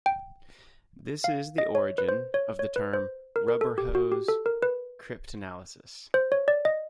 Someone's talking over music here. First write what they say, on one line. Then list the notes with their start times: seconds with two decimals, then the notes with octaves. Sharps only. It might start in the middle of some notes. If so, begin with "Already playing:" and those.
This is the origin of the term Rubber-hose cryptanalysis.
0.06 G5
1.24 F5
1.58 D#5
1.75 C#5
1.98 B4
2.09 C5
2.34 C#5
2.59 C#5
2.76 B4
2.93 C5
3.36 A#4
3.48 A#4
3.61 A4
3.78 G4
3.95 F#4
4.12 G4
4.28 A4
4.46 A#4
4.62 B4
6.14 C5
6.32 C#5
6.48 D5
6.65 D#5